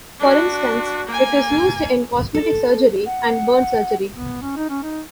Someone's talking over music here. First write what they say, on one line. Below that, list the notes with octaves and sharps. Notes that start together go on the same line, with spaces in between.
For instance, it is used in cosmetic surgery and burn surgery.
D4 F#4
A#3 G#5
A4
F#5
B3
C#4
D#4
C#4
D#4